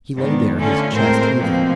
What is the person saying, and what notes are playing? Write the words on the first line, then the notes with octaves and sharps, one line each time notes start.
He lay there, his chest heaving.
G#2 D#3 B3 D4
D3 A3 C#4 F4
A2 G#3 C4 A#4 C5
B2 F3 A#3 C4